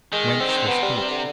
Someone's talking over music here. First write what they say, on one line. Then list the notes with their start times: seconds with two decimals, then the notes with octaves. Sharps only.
Whence this heat?
0.12 D#3 G#3
0.40 D3 C4
0.49 D#3
0.57 D3
0.68 C3 B3
0.82 G3
0.97 G3
1.11 D3